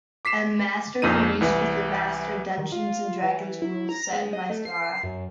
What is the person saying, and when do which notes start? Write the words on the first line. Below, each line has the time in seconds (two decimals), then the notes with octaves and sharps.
M-Master for use with the Master "Dungeons and Dragons" rules, set in Mystara.
0.25 D6 B6 C7 E7
1.02 A#1 F2 A#2 D#4 D#7
1.41 C2 E3
2.58 D#3
2.72 F4
3.23 E3
3.62 E4
3.89 A#5
4.12 G#3
4.33 D#5
4.50 A3
4.65 C7
5.03 F#2